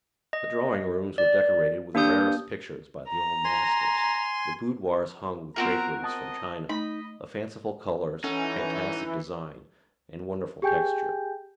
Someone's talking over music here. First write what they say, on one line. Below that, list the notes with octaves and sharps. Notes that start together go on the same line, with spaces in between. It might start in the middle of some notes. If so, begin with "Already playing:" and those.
The drawing-rooms were decorated with the rarest pictures by the old masters, the boudoirs hung with draperies from China, of fanciful colors, fantastic design, and wonderful texture.
D#5
D5
A#3 D4 G4 D#6 G6
A#5
G#5 C6
B3 C4 F4 F#4 A#4 G#5 A#5
D#5 A5 D#6
A3 D#4 D#5 B5
E3 C#4 D#4 A4 C#5 F#5
G4 G#4 G5 G#5 G6